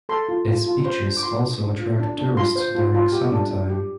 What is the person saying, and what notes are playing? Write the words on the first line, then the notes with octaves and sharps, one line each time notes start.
Its beaches also attract tourists during summer time.
A4 C6
F4
F4
F4
C5 C6
D4
D6
F4 C6
D4
D4
F4
D4
D4
F4 C6
C5
F4
F4
G4
D4
D4
G4